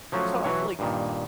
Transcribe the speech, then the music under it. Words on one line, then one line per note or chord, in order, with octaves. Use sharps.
so I feel like, you
F3 F#3 A3 C#4
B2 E3 F#3 C#5
G2 A#2 D#3